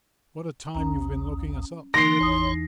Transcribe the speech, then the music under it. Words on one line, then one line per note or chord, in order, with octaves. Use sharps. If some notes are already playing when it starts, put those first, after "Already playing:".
"What a time you've been looking us up."
A#1 D#2 C#4 A#5
D3 E3 A#3 D#4 A#4 C6 A#6 C7
G#1 E2 C#5 D#6